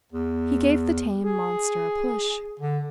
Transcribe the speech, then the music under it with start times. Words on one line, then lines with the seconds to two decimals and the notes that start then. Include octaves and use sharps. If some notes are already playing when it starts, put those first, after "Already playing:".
He gave the tame monster a push.
0.12 E2
1.24 G#4
2.60 D3